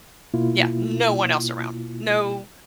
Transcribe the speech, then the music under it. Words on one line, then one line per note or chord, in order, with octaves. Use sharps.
Yeah, no one else around. No
B2 A#3 E4 F4